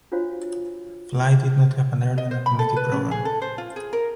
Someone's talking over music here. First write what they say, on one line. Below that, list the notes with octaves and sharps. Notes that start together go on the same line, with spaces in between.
Fly did not have an airline affinity program.
D4 F4 F#4 C5 C#5 F5
D#5
C5
B5
A4
B4
C#4
G#4
A4
C5
F4
G#4
A#4